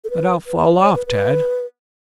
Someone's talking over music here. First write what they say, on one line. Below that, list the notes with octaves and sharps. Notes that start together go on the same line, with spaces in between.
"But I'll fall off, Tad."
A4
B4
B4
D5
C#5
B4
B4